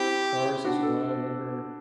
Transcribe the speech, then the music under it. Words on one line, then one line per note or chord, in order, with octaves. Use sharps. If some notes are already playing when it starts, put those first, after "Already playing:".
Cars as well, I remember,
Already playing: C4 E4 G4
D4 F#4
A4